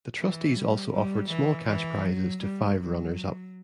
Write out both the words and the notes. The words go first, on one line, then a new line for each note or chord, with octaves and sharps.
The trustees also offered small cash prizes to five runners up.
E3
G3
G3
E3
E3
F#3
G3
F#3